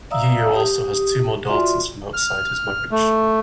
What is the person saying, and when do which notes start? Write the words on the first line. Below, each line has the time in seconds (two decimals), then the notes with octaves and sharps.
Yeo also has two more daughters from outside his marriage.
0.10 D5 E5 F5 A#5 D#6 E6
0.54 G4 D#6
1.47 F4 F#4 D5 E5 C6
2.14 F6
2.91 A3